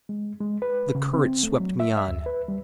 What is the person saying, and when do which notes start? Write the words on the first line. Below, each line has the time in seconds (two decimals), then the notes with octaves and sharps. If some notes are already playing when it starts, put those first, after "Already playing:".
The current swept me on.
0.09 G#3
0.41 G#3
0.62 B4
0.95 C#3
1.13 C4
1.43 A3
1.60 F#3
1.80 E5
1.97 E5
2.08 D2
2.26 B4
2.48 G3